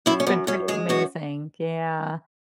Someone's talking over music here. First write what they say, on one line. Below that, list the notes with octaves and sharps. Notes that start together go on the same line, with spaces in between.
It's been pretty amazing, yeah.
F#2 E4
C#4
F#2 B3
F#2 C#4
G#3 G#4
F#2 F#4